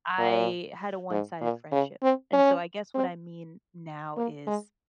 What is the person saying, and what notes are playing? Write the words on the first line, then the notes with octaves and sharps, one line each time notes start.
I had a one-sided friendship, and so I guess what I mean now is
A#2
G#2
A#2
C#3
C4
C#4
C4
A#3
G#3